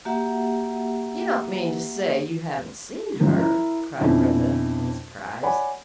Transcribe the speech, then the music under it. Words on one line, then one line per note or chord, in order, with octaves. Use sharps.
"You don't mean to say you haven't seen her," cried Brenda in surprise.
A#3 F#4 G4 E5 F#5
G#2 C#3 F3 G3 A#3
E4 A#4
F2 B2 C#4 D4 E4
C#5 D5 F#5 G#5 B5